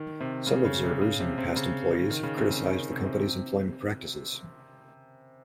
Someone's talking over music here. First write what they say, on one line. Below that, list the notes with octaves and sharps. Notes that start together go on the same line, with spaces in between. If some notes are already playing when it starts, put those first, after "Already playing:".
Some observers and past employees have criticized the company's employment practices.
Already playing: D#3
C3
C#3
C#3
C3
C#3
C3
C3
C#3
D#3
C#3
C3
C#3
D#3
C3
C3
C3